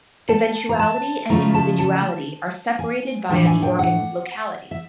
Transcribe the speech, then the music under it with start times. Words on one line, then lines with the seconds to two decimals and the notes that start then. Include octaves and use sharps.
Eventuality and Individuality are separated via the organ Locality.
0.29 A5
0.69 A#5
0.79 A5
1.30 C#3 F3 A3 C#4 E4 A#5
1.54 A5
1.79 A5
2.79 G#5
3.29 A2 E3 A3 D4 G5
3.46 G#5
3.62 G5
3.79 F#5
4.71 E5